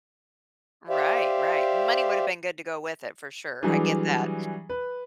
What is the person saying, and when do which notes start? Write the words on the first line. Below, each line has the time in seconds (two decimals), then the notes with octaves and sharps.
Right, right. Money would have been good to go with it for sure. I get that.
0.89 G4 C5 D5 E5 F5
3.63 E3 F#3 G3 D4 G#4
4.69 B4